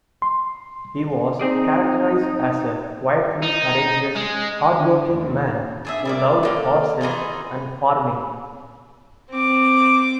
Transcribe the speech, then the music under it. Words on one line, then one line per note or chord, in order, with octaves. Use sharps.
He was characterized as a quietly courageous, hardworking man who loved horses and farming.
C6
C4 D#4 G#4 D5
D#4
G#3
D3
D#2
D4 G#4 E5
G3 A#3 D5
D3 A#3 F5
E3 D#4 F4 G#4
C4 D6